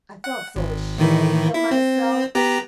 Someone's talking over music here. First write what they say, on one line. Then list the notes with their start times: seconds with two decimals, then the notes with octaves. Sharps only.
I felt so ashamed of myself.
0.24 F#5
0.56 G#1
0.98 A2 D#3 E3
1.54 E4
1.71 C4
2.35 B3 G4 A#5